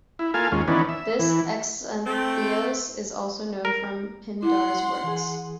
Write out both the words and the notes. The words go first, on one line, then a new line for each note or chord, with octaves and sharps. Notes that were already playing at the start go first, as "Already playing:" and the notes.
This Euxanthios is also known from Pindar's works.
E4
A#3 F4 A4 F5 G#5
D#2 G#3 C#4 F4
D#3 E3 B3 C#4 D4
E5
E3
A3 C4
A#4
E4 F#5 C6
E3 G#4